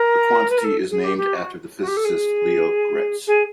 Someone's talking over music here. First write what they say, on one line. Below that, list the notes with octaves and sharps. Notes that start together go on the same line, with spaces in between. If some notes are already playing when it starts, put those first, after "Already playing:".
The quantity is named after the physicist Leo Graetz.
Already playing: A#4
B4
A#4
A4
G#4
G4
G4
F#4
F#4
G4
A4
G#4
G#4